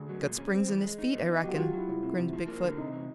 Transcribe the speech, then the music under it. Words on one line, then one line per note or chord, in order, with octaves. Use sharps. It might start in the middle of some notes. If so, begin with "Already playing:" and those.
"Got springs in his feet, I reckon," grinned Big-foot.
Already playing: D2 G#4
F#3
A#2
C#4
C4
E3
G#3
D#4
B3
D#4
F#3 G4
F#4
F#3 F4
F#3 E4
C2 E4
C3
C3
F3
A#3
D3
C3 D#4
E3